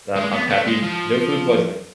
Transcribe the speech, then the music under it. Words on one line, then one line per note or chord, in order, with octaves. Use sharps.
I'm I'm happy, no food poisoning.
G#3
B3
A3
G#3
F3